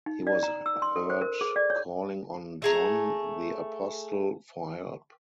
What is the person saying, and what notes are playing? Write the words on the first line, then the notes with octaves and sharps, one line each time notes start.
He was heard calling on John the Apostle for help.
D#4
D5
A#5
E6
C6
A4
C5
A#4
G#4
D5
C#5
A3 G#4 A#5